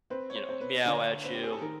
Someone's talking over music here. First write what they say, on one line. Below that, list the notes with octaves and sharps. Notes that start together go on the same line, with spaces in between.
you know, meow at you.
C4 B4
C#5
C5
C4
B4
D3 C#5
C4 B4
G4
G#4
A4
D#3 A#4